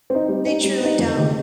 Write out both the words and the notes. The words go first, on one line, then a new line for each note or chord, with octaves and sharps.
They truly don't.
C4 D#4
G3
C4 D#4
G3
C4 D#4
F2
C3 D#3 G#3